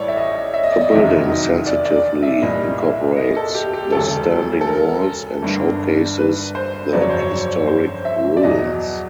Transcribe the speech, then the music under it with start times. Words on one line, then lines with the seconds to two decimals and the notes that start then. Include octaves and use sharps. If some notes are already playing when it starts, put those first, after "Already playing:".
The building sensitively incorporates the standing walls and showcases the historic ruins.
Already playing: A1 A2 G3 A4 C#5 D5
0.08 E5
0.17 D#5
0.54 E5
0.63 D#5
0.72 D5
0.81 D#5
0.91 F1 E2 C3 D#3 F#3 E5
1.30 D#5
1.67 D5
1.86 D5
2.23 E5
2.42 C2 A#2 G3 D#5
2.80 E5
3.17 D#5
3.36 A4
3.55 G4
3.73 G4
3.92 E1 D2 C#3 F#3 A4
4.61 A4
4.67 A#4
5.42 G1 G2 D3
6.18 B4
6.55 C5
6.92 G1 F2 C#3 F#3 D5
7.01 C#5
7.10 C5
7.19 C#5
7.68 C5
8.05 E5
8.37 D5
8.42 E2 B2 F#3 D#5